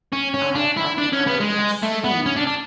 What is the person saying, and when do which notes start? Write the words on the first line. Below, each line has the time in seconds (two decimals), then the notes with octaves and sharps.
I had co I I seen
0.13 C#4
0.34 C#4
0.55 D4
0.77 E4
0.98 D4
1.13 C#4
1.27 B3
1.40 G#3
1.83 A3
2.04 B3
2.26 C#4
2.36 D4
2.47 D4